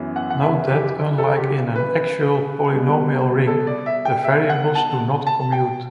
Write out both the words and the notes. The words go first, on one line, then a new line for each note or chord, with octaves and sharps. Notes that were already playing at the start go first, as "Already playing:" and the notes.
Note that unlike in an actual polynomial ring, the variables do not commute.
Already playing: F#2 E3 B3
F#5
F#5
E5
G4
A4
G4
B4
B2 G3 B3
A4
D5
E5
G5
E5
F#5
A5
A5
G5